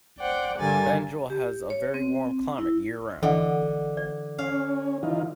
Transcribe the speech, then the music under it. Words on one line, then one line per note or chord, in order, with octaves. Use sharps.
Banjul has a very warm climate year round.
C5 D5 F#5 G5 D6
G2 D3 A#4 G#5 A6
G4
C#5
C4
E4
D3 E3 A4 D#5 F#5
D5
C#4 F5
E3 D#4 F4